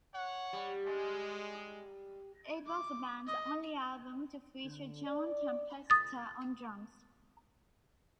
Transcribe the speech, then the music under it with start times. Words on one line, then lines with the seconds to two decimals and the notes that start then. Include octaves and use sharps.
It was the band's only album to feature John Tempesta on drums.
0.13 C#5 F#5
0.53 G3
0.86 G#3
2.67 D6
3.27 D#5
4.65 D3
5.06 D5
5.90 D#6 A6